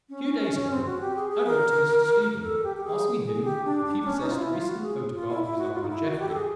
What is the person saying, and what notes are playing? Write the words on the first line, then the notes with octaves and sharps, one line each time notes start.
A few days ago I wrote to Mr. Stephen asking him if he possessed a recent photograph of his uncle Jeffrey.
C#4
C#4
C#4
C#4
C4
F#4
G4
G#4
G#4
A#4
A#4
A4
G4
G4
G#4
G#4
G#4
G4
D4
D4
D4
C#4
D#4
F4
E4
F4
F#4
A4
G#4
F4
E4
E4
F#4
F4
D#4
E4
F#4
G4
A4
G#4